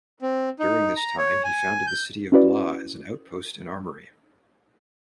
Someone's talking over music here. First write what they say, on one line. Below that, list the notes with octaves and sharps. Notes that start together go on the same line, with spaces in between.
During this time he founded the city of Bla as an outpost and armory.
C4
D#4
A#5
C#5
G#5
G6
C#4 E4 F#4 B4 D5